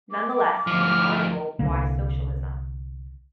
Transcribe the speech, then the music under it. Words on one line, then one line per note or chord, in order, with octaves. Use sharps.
Nonetheless, in the article Why Socialism?
D6
D2 F3 F6
C2 D3 A#3